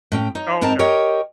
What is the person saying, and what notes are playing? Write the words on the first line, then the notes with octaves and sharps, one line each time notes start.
Oh, okay.
A2 C#4 G5
D#4 C#5
G#2 C4 D#4 A#4 A5
G4 A#4 C#5 D#5 G5